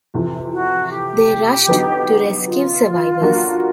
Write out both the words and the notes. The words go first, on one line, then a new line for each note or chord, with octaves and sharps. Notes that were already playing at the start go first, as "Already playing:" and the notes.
They rushed to rescue survivors.
F2 C3 E3
F#4
G4
D3 F#3 B3 D#4 F#4
F4
F#3 A#3 D4 F#4 A#4